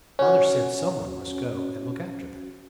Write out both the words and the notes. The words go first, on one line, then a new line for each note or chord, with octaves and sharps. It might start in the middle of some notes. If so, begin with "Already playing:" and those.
Father said some one must go and look after them.
C#4 F#4 C#5